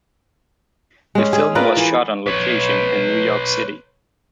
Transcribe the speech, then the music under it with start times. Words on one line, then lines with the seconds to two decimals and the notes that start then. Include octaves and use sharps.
The film was shot on location in New York City.
1.15 G#3 C#4
1.33 G#4
1.55 F4 A#4 B4 D5
1.77 E3
2.27 B4 C#5